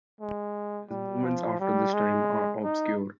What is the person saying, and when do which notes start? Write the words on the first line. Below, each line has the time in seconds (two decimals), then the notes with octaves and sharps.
His movements after this time are obscure.
0.21 G#3
0.90 G3
1.25 F3
1.60 G3
1.94 G#3
2.64 D#4